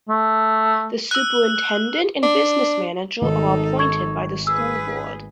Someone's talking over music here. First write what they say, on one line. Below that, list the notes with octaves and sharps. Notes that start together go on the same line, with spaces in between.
The Superintendent and Business Manager are appointed by the school board.
A3
E6 F#6
D4
G#1 D#4 A4
C#6 G#6
G#4 B4 E6